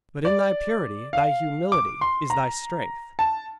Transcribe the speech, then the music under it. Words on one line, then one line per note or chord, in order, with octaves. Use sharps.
But in thy purity, thy humility, is thy strength.
D5
F5
D6
C6
A#5
A5